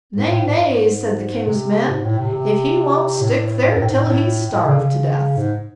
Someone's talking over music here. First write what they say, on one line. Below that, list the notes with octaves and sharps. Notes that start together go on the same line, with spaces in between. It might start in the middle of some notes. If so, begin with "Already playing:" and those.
'Nay, nay', said the king's men; 'if he won't stick there till he's starved to death.'
G#2
A2
G#2
G#2
C3
G#2
A2
C3
C3
A2
G#2
F#2
A2
G#2
A2
A2
A2
C#3
C#3
G#2